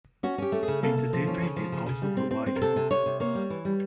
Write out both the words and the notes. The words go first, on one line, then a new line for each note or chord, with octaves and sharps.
Entertainment is also provided.
C#4 F#4
C#4 G4
A3
G#4
C#3
A#3 A4
A#3
F3
C#4
C#3
F3
C#3
C#3
G3
C4
C4
C4
A#4
C3 A4
C3
C3 C#5
C3
A#3 C#5
G3
E3
G3